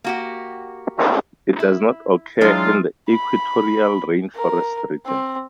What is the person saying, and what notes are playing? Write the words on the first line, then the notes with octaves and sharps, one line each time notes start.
It does not occur in the equatorial rainforest region.
A#3 F#4 G4
E4
E3 F#3 G#3 D4 F4
B5
A#4
C4